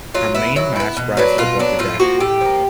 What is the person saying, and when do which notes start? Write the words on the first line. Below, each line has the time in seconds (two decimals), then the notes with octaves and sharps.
Her main mast rises above the deck.
0.14 F#3 F4
0.34 B3 E4
0.56 F#3 E4
0.76 B3 E4
0.97 B2
1.17 F#3 B3 D4
1.38 B2 F4
1.59 F#3 B3 D4
1.79 A2 F4
2.00 F3 A#3 F#4
2.20 A2 G4
2.41 F3 A#3